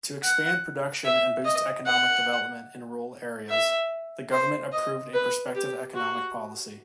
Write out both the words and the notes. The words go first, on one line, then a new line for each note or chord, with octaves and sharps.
To expand production and boost economic development in rural areas, the government approved a perspective economic policy.
F#5
E5
D#5
F#5
E5
C5
D#5
B4
G4
F#4